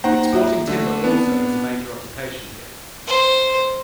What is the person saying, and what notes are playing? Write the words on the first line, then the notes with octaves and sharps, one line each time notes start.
Exporting timber also is a major occupation here.
A#3 D#4 C5 F#5 A#5
F4 F#4 E5
D3 A3
B3 C4 D4
C5